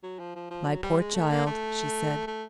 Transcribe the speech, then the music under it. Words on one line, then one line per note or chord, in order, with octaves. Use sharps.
"My poor child," she said.
F#3
F3
F3
F3
F#3
G3
G#3
A3
A#3
A3
A3